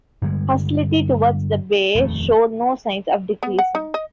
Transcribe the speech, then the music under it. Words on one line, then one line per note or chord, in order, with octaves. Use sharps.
Hostility towards the Bey showed no signs of decreasing.
G2 D3 G3 G#3
D#1 F2 A3
B3
F#5
D#4
D#5